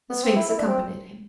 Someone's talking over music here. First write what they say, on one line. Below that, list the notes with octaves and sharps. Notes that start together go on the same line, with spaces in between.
The Sphinx accompanied him.
B3
C4
E4
E4
D4
C4